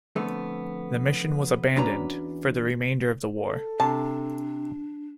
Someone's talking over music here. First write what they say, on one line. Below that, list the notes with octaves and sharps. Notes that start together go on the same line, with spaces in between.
The mission was abandoned for the remainder of the war.
F2 D3 A3 B3
E2 C#4 D4 F#4 B4 A#5
A4
C3 D4 A5